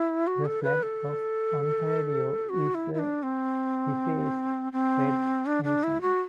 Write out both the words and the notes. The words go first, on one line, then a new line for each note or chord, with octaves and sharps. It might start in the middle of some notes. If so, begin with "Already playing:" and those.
The flag of Ontario is a defaced Red Ensign.
Already playing: E4
F#4
A4
B4
A4
F#4
E4
E4
D4
C4
C4
D4
D4
E4
F#4